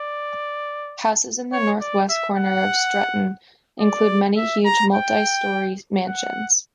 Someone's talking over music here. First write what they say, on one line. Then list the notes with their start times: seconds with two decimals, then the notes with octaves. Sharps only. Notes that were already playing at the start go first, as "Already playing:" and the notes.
Houses in the north-west corner of Stretton include many huge, multi-storey mansions.
Already playing: D5
1.53 C#5
1.81 D5
2.09 E5
2.38 F#5
3.80 D5
4.37 E5
4.65 A#5
4.94 G5
6.08 F#5